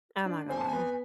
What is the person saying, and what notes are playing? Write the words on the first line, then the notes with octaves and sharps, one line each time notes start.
Oh my god.
D4 D5
C4 C5 G#5
A5
G#5
B3 B4